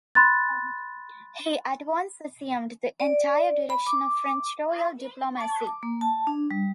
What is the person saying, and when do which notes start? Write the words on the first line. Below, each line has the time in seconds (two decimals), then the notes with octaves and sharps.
He at once assumed the entire direction of French royal diplomacy.
0.15 B5 C6 F#6 A6
3.00 D5
3.70 B5
3.87 D6
5.41 A5
5.67 D6
5.83 A#3
6.01 A5
6.27 D4
6.51 G3